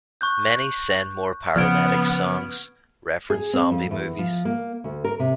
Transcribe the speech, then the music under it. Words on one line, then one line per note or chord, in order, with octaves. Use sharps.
Many Send More Paramedics songs reference zombie movies.
C#6 F#6 G6
C#3 F3 B3 F6 G#6 D7
G#4
C4
F2
E2
F3
A#3
D2
A#4
C3